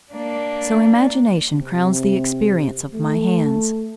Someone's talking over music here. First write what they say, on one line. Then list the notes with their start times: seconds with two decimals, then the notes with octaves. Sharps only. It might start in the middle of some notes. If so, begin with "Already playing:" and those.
So imagination crowns the experience of my hands.
0.12 A#3 D4
1.51 C3
2.93 A3